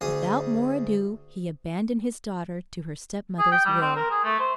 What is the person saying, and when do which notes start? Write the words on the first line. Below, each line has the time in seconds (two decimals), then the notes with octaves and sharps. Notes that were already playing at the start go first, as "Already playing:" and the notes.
Without more ado, he abandoned his daughter to her stepmother's will.
0.01 D2 G#4 D#6
3.39 G#4
3.52 G5
3.65 G3
3.81 C4
3.96 A#4
4.10 G#4
4.24 A3
4.39 C5